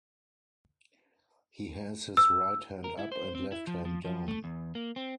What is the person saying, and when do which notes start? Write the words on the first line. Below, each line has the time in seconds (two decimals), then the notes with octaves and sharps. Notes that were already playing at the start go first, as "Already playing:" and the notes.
He has his right hand up and left hand down.
2.17 E6
2.84 A#4
2.99 E4
3.12 C5
3.35 C4
3.52 E4
3.67 F3
3.85 F3
4.05 F3
4.28 A3
4.44 E2
4.75 A#3
4.96 C4